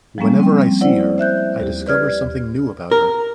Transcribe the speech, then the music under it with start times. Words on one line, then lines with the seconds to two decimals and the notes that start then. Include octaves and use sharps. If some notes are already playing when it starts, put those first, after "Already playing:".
Whenever I see her, I discover something new about her.
0.18 F3 G3 G#3 A#3 C#4
0.40 C4 G5
0.81 E4 C5 D5 F#5
1.18 C5 E5 F#6 G6
1.60 D#2 G4
1.87 B4 D5 F6 G#6
2.92 A#4